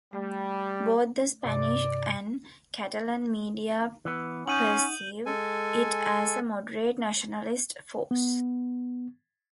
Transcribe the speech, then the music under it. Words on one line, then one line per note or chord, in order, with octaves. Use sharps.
Both the Spanish and Catalan media perceive it as a moderate nationalist force.
G3 A3
G2 C3 D5
E3 B3
C#4 D#4 F#5 G6 D#7 F#7
G#3 A4 G#5
B3